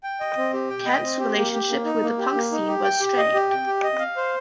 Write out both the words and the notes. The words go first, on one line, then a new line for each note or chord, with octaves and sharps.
Kent's relationship with the punk scene was strained.
G5
D#5
C4
G4
G5
D#5
C4
G4
A#3
G4
A#3
D#4
A#3
G4
A#3
D#4
G4
G5
G4
D#5
G4
G5
G4
D#5
F5
C5